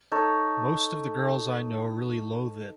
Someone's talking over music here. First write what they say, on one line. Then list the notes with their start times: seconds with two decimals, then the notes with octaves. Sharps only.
Most of the girls I know really loathe it.
0.12 D#4 A4 C#5